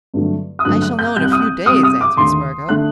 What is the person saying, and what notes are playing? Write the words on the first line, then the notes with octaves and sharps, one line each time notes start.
"I shall know in a few days," answered Spargo.
G2 D3 F#3 A3
D#6
G2 D3 F#3 A3 F#6
F#6
G6
C2 C3 G3 G6
F#6
D#6
F#6
C2 C3 G3 D#6
D#6
D6
D#2 D3 A3 C6
D3 A3 F#6